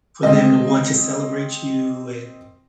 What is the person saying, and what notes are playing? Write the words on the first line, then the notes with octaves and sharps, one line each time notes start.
for them to want to celebrate you, and
D3 G#3 A3 C4 D#5